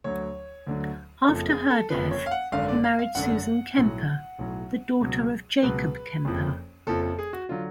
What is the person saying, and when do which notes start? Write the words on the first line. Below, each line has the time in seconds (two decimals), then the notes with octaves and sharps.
After her death he married Susan Kemper, the daughter of Jacob Kemper.
0.04 D2 D3 F#3 C#5
0.67 D2 D3 F#3
1.28 F#1 F2 F3 A4
1.49 G#4
1.70 A4
1.90 F#1 F2 F3 B4
2.11 C#5
2.26 F5
2.31 F#5
2.52 G#1 F#2 D3 F5
2.68 D5
2.84 F5
2.99 F5
3.15 G#1 F#2 D3 F#5
3.77 B1 A2 F#3
4.39 B1 A2 F#3
5.01 C#2 B2 F#3
5.63 C#2 B2 F#3 B4
6.25 F#1 F2 F3
6.87 F#1 F2 F3 A4
7.03 A4
7.19 G#4
7.33 F#4
7.49 D3 F#3 F4